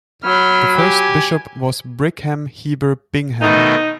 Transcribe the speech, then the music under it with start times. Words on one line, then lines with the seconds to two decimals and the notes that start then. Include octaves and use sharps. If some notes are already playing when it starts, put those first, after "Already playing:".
The first bishop was Brigham Heber Bingham.
0.25 F#3 B5 F6
0.77 G4 G#5
3.42 B2 D#3 A3 D#4